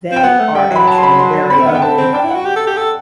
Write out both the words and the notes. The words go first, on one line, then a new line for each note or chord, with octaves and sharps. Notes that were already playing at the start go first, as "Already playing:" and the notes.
They are actually very ugly.
C4 G5
B3 F#5
A3
G3 G5
F#3
B5
A5
C6
B5
C6
C4 B5
E5
B3 F#5
G5
C4 A5
C4
D4 G5
E4
F#4 F#5
G4
A4
G4
A4